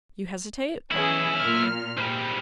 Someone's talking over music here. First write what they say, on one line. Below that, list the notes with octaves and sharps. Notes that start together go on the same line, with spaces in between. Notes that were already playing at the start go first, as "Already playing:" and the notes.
"You hesitate?"
B1 E3 C#4 E4 G#4
A#2 F6
G#2 G3